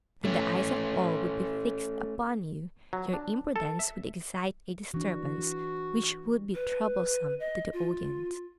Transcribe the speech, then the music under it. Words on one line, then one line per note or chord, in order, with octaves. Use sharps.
Then the eyes of all would be fixed upon you; your imprudence would excite a disturbance, which would be troublesome to the audience.
A3 C#4
F#3
D4
A4
E5
E3 D4 F#4
B4
D#5
F4